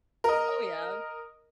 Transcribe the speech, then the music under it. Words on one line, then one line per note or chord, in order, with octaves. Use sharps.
Oh, yeah.
A#4 D#5